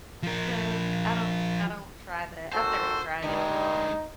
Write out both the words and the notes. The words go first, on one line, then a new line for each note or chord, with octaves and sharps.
No, I don't I don't try that. I've never even tried it,
F3 A#4
G#1 F#4 A4 C5
G2 D3 G#3 D#4